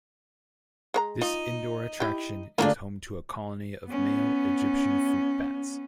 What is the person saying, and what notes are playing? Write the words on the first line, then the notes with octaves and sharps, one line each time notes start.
This indoor attraction is home to a colony of male Egyptian fruit bats.
G#3 C#5 A#5
D#4 F4
E4 G4
D2 G#3 A#3 D4 E4 F4
B3 C#4